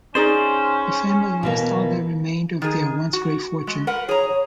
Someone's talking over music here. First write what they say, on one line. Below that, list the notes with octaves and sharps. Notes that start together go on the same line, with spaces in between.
The family lost all that remained of their once great fortune.
C#4 D#4 G#4 C5 D5
B2 E3 A#3
D#3 G#4
F#4
G#3
A#4 B4 F#5
G#4 C#5 A#5
C#5